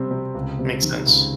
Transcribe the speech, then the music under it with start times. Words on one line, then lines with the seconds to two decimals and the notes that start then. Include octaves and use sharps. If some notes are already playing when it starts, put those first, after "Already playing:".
Makes sense.
Already playing: C3 G3 C4
0.11 C3
0.35 C#2
0.59 C3
0.83 D#3
1.06 C#2